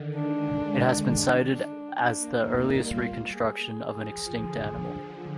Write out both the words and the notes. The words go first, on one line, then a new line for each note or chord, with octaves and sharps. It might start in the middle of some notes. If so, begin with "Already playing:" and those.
It has been cited as the earliest reconstruction of an extinct animal.
Already playing: D3 D#3
G#3 D4
D4
D4
A#3 D4
G3 D#4
F4
G#4
F3
D3